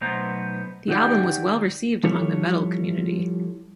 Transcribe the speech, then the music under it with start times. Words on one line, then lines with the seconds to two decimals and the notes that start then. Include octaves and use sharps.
The album was well received among the metal community.
0.01 B1 A3 B3 C5 A#5
0.88 D#3 F#4 G4 D5
2.04 F3 G3 E4 A4 C#5